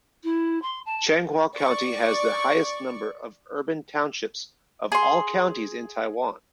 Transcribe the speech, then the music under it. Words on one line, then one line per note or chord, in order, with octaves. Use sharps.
Changhua County has the highest number of urban townships of all counties in Taiwan.
E4
C6
A5
D5 C#6
G#4 C6